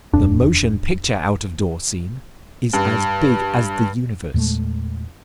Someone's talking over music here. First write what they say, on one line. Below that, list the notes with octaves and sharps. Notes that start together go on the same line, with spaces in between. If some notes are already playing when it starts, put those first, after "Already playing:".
The motion picture out-of-door scene is as big as the universe.
D#1 F2 D4
G2
E2 A#2 G#3 A3